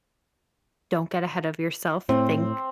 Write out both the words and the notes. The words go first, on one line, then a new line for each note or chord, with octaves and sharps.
don't get ahead of yourself. Think
A2 C4